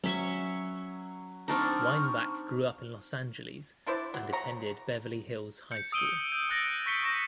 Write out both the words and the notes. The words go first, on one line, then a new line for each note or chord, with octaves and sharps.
Weinbach grew up in Los Angeles and attended Beverly Hills High School.
F#3 C#4 E5 C#6
C4 D4 D#4 C#6 F6
D4 E4 C5 D5
F#3
C#5 A#5
G6 C#7
D#6 E6 D7 D#7 G7
G6
D#6 E6 F#6 A6 A#6 D7
C#6 G6 B6 C#7 G7
C#6 G6 A#6 E7